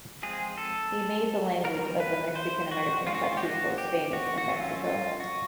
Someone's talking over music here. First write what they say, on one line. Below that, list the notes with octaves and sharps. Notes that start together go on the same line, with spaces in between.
He made the language of the Mexican American pachucos famous in Mexico.
F3 G#3 C4 G#4
A4
D#3 G3 B3 A#4
B4
C5
F#4
D#3 G#3 C#4 F4
F#4
F4
G4
F#4
G4
F#4
F#4
F#3 A3 C#4 F4
F4
F#4